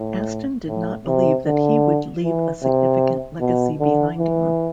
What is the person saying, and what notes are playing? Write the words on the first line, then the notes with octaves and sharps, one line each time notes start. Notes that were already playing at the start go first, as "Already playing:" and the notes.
Aston did not believe that he would leave a significant legacy behind him.
Already playing: A2
A2
C3
D3
E3
C3
B2
D3
E3